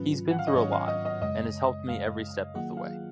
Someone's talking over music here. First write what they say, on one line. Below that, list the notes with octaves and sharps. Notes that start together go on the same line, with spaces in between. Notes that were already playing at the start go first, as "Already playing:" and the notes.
He's been through a lot and has helped me every step of the way.
Already playing: G#2 D#3 F#3 C#4 F4 B4
F#5
F5
D#5
G#2 D#3 F#3 C#4 F4 C#5
F5
D#5
D#5
F#2 C#3 G#3 D#5
F#2 C#3 G#3 F5
D#3 F#3 A#3 F4 G#4 F#5
F5